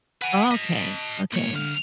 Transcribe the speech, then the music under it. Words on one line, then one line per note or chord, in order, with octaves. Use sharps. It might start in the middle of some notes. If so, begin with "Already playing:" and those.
Oh, okay. Okay.
B4 F#5 G#5
D#5 A5 B6
B1 A#3 C#5
C2 D3 F5